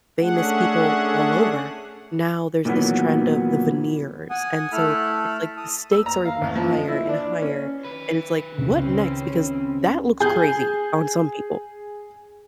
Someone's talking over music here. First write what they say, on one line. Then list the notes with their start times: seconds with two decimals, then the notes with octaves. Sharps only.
famous people all over. Now there's this trend of the veneers, and so it's like the stakes are even higher and higher, and it's like, what next? Because that looks crazy on some people.
0.19 A3 C#4 D4 G#4 F#5
2.65 A#2 D#3 E3 F#3 B3
4.30 F#5 G#5 D#6
4.72 A3 E4 A4 A5 B5 F6
5.57 A5 D#6
5.92 E6
6.06 A#5
6.25 F5
6.41 A1
6.56 F3
6.73 D#5
6.88 E4
7.09 D4
7.42 C#4
7.85 D#3 B4
8.58 C#2 C4 C#4
10.20 G#4 G6